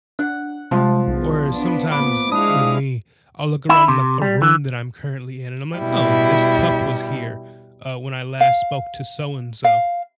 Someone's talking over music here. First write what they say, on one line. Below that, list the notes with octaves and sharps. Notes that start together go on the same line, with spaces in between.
Or sometimes, with me, I'll look around, like, a room that I'm currently in, and I'm like, "Oh, this cup was here, uh, when I last spoke to so-and-so"
D4 F#5
C3 F3 G3 G#3
B1 E2
B3 D4
A#2 B3 B5 D6
G#3 D4 E4 F5 D#6
E4
C3
G3
E3
B2 G3 E4
F5
F5